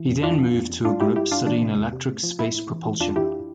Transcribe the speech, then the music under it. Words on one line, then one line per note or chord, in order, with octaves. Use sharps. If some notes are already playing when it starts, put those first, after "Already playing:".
He then moved to a group studying electric space propulsion.
Already playing: E3
F2
F2 D4 F4
F3
F2
F2
G2 D4 F4
G2 E4 G4
G2 E4 G4
G2 D4 F4
E3 D4
C3
E2
C3
A2
F3
A2 E4
A2
E3
E3
F2 D4 F4
E3 E4 G4